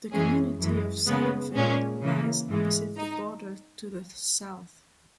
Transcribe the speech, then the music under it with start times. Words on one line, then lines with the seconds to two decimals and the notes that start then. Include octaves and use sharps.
The community of Zionville lies opposite the border to the south.
0.12 F#2 E3 G#3 C#4 G#4
0.60 F#2 E3 G#3
1.07 C#3 G#3 B3
1.54 A#2 G#3 C#4
2.02 C#3 E3 A#3
2.49 G#2 E3 G#3
2.97 D#4